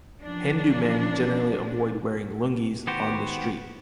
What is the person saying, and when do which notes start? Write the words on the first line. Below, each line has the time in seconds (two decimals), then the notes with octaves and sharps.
Hindu men generally avoid wearing lungis on the street.
0.22 E3 F3 A#3 C#4 D4
2.87 D#3 B3 F#4 G4 C5